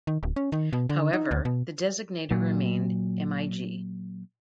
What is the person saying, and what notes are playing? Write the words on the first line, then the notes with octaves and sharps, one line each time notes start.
However, the designator remained "MiG".
D#3
D1
C#4
D#3
B2
D3
D#4
D2
B2
A#2 F#3